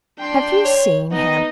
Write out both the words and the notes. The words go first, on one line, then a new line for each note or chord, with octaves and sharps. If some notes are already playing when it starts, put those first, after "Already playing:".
Have you seen him?
D4 G5 C6
C#5
B3 D#4 D#5